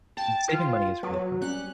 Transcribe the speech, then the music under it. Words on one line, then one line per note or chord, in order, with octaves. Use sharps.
saving money is really fun.
G5 A5
F4
F#3 B4
G3 C#4 F#6